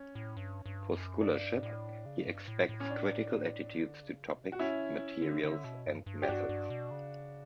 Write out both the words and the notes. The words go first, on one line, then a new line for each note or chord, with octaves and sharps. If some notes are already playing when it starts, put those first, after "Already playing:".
For scholarship he expects critical attitudes to topics, materials and methods.
Already playing: C#4
A2
G2
G2
F#2
G2 D4
A2
C#3
G2
A2
A2
C#4
D4
D3
C#3
B2
C#3
B2 F#4
A2 C#4 E4
C#3
D3
D3
D3
B2
G2
G2
G4
G2 D4 F#4
G2
B2
C#3